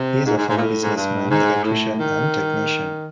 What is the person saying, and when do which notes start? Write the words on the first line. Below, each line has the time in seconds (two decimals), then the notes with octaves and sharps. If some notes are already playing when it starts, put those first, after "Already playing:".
He is a former businessman, electrician and technician.
Already playing: C3
0.26 G#2
0.38 G#2
0.50 G#2
0.57 A#2
0.60 A2
0.83 G#2
0.95 G2
1.30 G#2
1.64 A2
1.99 D#3